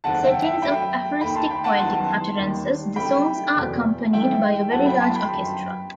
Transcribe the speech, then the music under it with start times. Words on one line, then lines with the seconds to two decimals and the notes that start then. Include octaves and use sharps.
Settings of aphoristic poetic utterances, the songs are accompanied by a very large orchestra.
0.04 F#1 E2 D#3 A3 C4 F#5 A5
0.23 E5 G5
0.43 E5 G5
0.62 F#2 F#3 A3 G5 B5
1.21 D#2 D#3 A3 D#4 G5 B5
1.35 A5 C6
1.50 G5 B5
1.64 F#5 A5
1.79 F#2 D#3 G3 B3 E4 A5 C6
2.38 D#2 D#3 G3
2.96 C2 C3 F#3 A3 D#4 G5 B5
3.54 F#1 E2 B2 A3
4.13 G2 E3 A3 D#4 E5 G5
4.71 F#2 F#3 A3 C4 E4 F#5 A5
4.86 G5 B5
5.00 A5 C6
5.14 G5 B5
5.30 G1 F#2 F#3